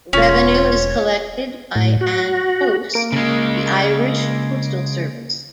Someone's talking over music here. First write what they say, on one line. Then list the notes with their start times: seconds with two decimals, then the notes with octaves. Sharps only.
Revenue is collected by An Post, the Irish postal service.
0.13 E1 C#4 F4 C#5
1.76 A2
2.01 F#4
2.94 A#3 D7
3.12 C#3 G#3